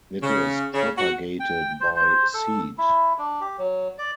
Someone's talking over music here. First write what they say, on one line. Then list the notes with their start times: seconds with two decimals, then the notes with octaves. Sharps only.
It is propagated by seed.
0.22 C#3
0.74 C#3
0.96 F#4
1.40 G5
1.80 C5
1.96 C5
2.34 A4
2.78 E4
3.18 D4
3.41 G4
3.58 F#3
3.98 D5